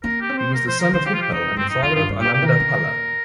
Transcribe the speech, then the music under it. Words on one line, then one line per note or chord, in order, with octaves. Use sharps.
He was the son of Hutpal and the father of Anandapala.
A#3 A#4
G4
C4
C5
A#3 A#4
F3 C5
D#3 A#4
D#3 C5
F3 G4
F4
G4
F2 D#4
G2 C4
F2 D#4
F2 F4
G2 F4
G2
A#2 G4
G4
D#3 A#4
D#3
A#2